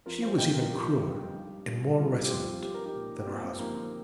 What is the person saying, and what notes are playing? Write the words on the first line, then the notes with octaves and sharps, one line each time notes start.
She was even crueler and more resolute than her husband.
F2 F4 A#4
C5 F5
F2 D#5 G5
F4 A#4
F2 G4
F4
D#4 G4
G3
G2
G2
G2 C4 F4
G4
F3 C4 F4
F3 G4
A#4
D#4 G4
A#2
G4
A#2 C4 F4
C4
F3 A#3 D#4
C4 F4